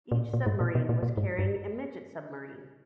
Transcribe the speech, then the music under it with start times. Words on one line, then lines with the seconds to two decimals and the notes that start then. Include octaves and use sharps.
Each submarine was carrying a midget submarine.
0.12 A#2
0.33 A#2
0.46 G#2
0.60 A#2
0.75 B2
0.89 A#2
1.03 A#2
1.17 G#2
1.39 G2